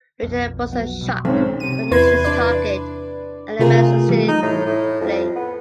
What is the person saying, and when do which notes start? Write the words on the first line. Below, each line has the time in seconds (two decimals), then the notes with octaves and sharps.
Lieutenant Busson shot but missed his target and the man succeeded to flee.
0.23 B1 F2
0.72 F#3 B3 F#5
1.02 B2 G3
1.25 B1 G#2 C4 C#4 A5 D6
1.60 C3 D#7
1.91 E2 E4 B4 C6 G#6
2.24 D4 B4 D5
3.59 C3 A3 F4 G#4 A#4
4.09 E3 G3
4.28 D#4
4.42 A2
4.66 A2
5.01 F2
5.36 B3